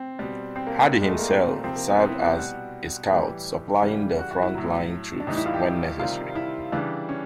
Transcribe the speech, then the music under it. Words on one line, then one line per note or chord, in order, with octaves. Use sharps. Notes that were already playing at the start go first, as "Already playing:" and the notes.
Hardy himself served as a scout, supplying the front line troops when necessary.
Already playing: C4
B2 G3
C4
A#3
A#3
A#2 G3
G#3
A3
A#3
C4
C3 F3 C4
A#3
B3
C4
E4
F#4
G4
B2 G3 F#4
A2 E3 G3 G4
C#3 E3 G3
F#4
F#4
E4
A2 F#3
D4
A2 E3 G3 D#4
E4
F4
G4
C3 D#3 G3 F4
E4
C#3 E3 G3 D4
C#4